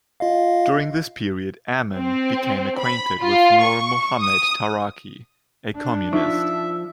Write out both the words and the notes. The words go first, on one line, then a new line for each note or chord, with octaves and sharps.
During this period Amin became acquainted with Nur Muhammad Taraki, a communist.
F4 D#5 F5
C4
B5
F4
C#6
D#6
D4
F3 D#4 E5